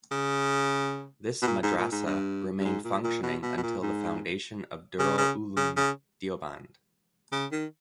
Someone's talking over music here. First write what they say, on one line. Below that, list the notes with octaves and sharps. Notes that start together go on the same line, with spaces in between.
This madrassa remained functioning until the foundation of Darul Uloom Deoband.
C#3
B2
A#2
G#2
A#2
G#2
G2
G2
G#2
A#2
A#2
B2
B2
B2
A#2
G#2
C#3
C#3
C#3
C#3
C#3
D#3